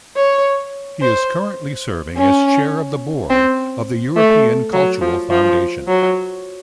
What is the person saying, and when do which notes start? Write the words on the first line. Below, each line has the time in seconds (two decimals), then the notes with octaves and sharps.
He is currently serving as chair of the Board of the European Cultural Foundation.
0.17 C#5
1.02 C5
2.17 C#4
3.30 C4
4.16 A3
4.73 F#3
5.01 F3
5.30 F3
5.88 F#3